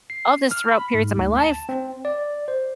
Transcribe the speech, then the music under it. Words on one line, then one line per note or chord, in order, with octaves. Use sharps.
of this throughout periods of my life
C7
F6
B5
G#2
D2
A5
C4
D5
C5